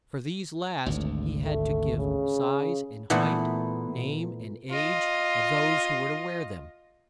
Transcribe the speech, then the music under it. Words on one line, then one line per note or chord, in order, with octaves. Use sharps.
For these last he had to give size and height, name, and age, of those who were to wear them.
G#1 D2
A3
C#3
A#2 E3 A3 B3
F4 D#5